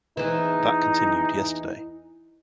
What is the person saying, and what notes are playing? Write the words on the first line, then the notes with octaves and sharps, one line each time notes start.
That continued yesterday.
E2 E3 D#4